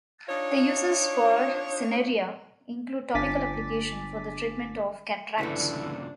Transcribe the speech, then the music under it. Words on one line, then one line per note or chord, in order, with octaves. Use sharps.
The uses for "Cineraria" include topical application for the treatment of cataracts.
D4 D#4 F4 C#5
G1 D4 G#5 D6 A6 B6
D2 G2 A#2 C#3 E3 D4 E4 A4